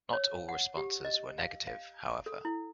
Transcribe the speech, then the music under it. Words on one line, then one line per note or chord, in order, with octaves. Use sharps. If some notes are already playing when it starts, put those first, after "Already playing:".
Not all responses were negative, however.
C#5
F#5
G4
D#5
F5
F5
A4
E4